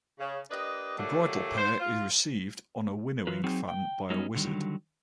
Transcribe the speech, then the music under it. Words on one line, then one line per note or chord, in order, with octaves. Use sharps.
The bridal pair is received on a winnowing fan by a wizard.
C#3
A#3 D4 G4 B4 D#5
A#2 D3 F#3 A3 D4 G4
C5
F4
E3 F#3 F4 B4
F#3 C4 D#4 G#4
G5
F#3 G3 B3 C#4 D#4
D3 D#3 F#3 G3